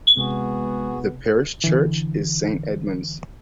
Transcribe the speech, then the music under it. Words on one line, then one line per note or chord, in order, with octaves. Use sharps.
The parish church is Saint Edmund's.
C3 G#3 B3 F#4 G#4
D3 E3